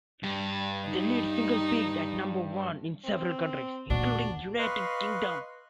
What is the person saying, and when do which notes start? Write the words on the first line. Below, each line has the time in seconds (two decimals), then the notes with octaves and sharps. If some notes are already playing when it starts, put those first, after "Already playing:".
The lead single peaked at number one in several countries, including the United Kingdom.
0.23 G2
0.89 D#4
3.05 C4
3.90 E1 D2 A#2 D4 F#4
4.59 B4 D#5 F5 C6 C#6 F#6